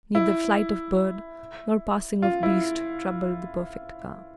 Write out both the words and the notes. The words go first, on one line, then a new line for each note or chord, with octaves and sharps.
Neither flight of bird nor passing of beast troubled the perfect calm.
E4
F4
E4